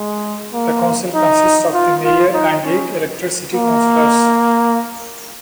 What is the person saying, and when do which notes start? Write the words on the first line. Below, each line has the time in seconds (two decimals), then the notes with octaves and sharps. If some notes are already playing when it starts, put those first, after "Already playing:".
The council consists of the mayor and eight elected city councillors.
Already playing: G#3
0.53 A#3
1.14 D#4
1.74 F4
2.04 F4
2.34 D#4
2.64 C#4
3.55 A#3